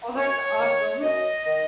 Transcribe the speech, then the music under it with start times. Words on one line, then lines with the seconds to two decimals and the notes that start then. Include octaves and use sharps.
Oh, that's awesome.
0.15 F#2 C#5
0.59 D#3
1.02 F#2 D#5
1.46 D#3